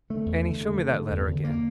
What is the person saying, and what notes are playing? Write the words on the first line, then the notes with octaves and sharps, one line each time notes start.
Annie, show me that letter again.'
D3 A3
E2
D3
D3
D3
D3
E2
D3
A#3